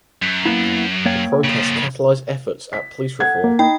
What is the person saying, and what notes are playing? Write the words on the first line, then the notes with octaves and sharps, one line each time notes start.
The protests catalyzed efforts at police reform.
F#2
A#3 B3 E4
A#3 C#5 G5
C#3 F3
B6
A4 F#5 G#6
A#3
D#4 G5 B5